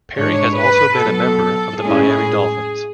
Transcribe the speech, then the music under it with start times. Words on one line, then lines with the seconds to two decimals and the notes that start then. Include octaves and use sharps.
Perry has also been a member of the Miami Dolphins.
0.17 G#2 G#3 D4 C#5
0.57 B4
0.99 B2 F#3 B3 A4
1.82 A2 G#3 C#4 E4 G#4